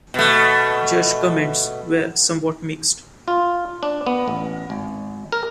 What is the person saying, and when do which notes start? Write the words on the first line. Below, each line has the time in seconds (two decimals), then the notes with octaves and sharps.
Judge comments were somewhat mixed.
0.14 B2 A3
3.28 F4
3.83 D4
4.06 B3
4.28 A1
4.70 G#1
5.32 A#4